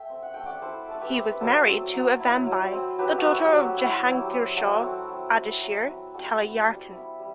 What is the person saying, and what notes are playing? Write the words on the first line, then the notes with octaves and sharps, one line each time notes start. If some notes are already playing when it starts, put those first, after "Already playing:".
He was married to Avambai, the daughter of Jehangirshaw Ardeshir Taleyarkhan.
Already playing: A3 E5 G5
C4
F#5
A3 G5
D5 F#5
E4 A4 C5
A3 A4
G4 B4
C4
B4
F#3 A4 C5
C4
F#3
E4
F#3
C4
F#3 G4 B4
F#4 A4
C4
G4
F#3
F#4
E4 F#4
F#3
G4
C4
F#3 F#4 A4
C4
F#3
E4
F#3
C4
G3 F#4 A4
C4
G3
E4
G3